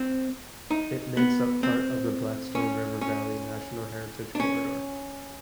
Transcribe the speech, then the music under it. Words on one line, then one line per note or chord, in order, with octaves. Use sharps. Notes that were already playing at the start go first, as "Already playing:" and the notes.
It makes up part of the Blackstone River Valley National Heritage Corridor.
Already playing: C4
D#4
B3
C4
C#4
C#4
D4
C#4